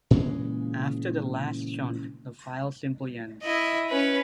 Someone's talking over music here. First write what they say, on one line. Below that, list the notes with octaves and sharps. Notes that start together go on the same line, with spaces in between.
After the last chunk the file simply ends.
A#2 C#3 E3 G#3
E4 D#5
C#4 B4